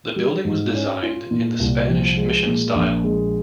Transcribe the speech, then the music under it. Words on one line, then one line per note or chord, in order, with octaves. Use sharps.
The building was designed in the Spanish Mission style.
G3
G#2
C#4
F4
A#2
C2
F3
G#3
A#2
A#1
G#3